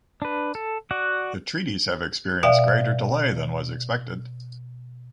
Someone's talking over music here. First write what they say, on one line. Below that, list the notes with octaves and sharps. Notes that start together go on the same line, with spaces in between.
The treaties have experienced greater delay than was expected.
D4 B4
A4
F#4 D5 F#5
B2 D5 E5 F5 G5